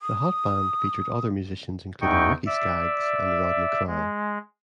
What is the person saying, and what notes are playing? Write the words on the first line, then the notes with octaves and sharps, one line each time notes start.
The Hot Band featured other musicians including Ricky Skaggs and Rodney Crowell.
D#6
E2 D#4 G5 C#6
D5 E5
G#3